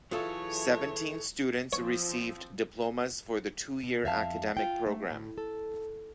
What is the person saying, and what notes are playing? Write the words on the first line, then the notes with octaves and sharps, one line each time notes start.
Seventeen students received diplomas for the two-year academic program.
E3 F#3 A3 F4 G#4 A4 C#5
F3 C4 C#5
B2
F2 E5 F5 A5
F4 G5
A3
A2
A4